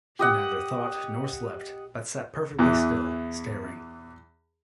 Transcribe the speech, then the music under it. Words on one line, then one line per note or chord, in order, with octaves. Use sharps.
He neither thought nor slept, but sat perfectly still, staring.
G4 D#5 F#5
E2 E3